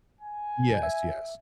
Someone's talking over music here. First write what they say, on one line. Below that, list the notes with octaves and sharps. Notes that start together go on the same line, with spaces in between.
Yes, yes.
G#5
E5